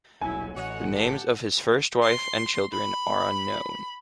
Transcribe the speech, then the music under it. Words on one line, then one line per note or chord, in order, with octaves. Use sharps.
The names of his first wife and children are unknown.
D#1 B1 F#3 E4 G#5
A1 F#4 C#5 D#5 F#5
G4 A4
C6
B5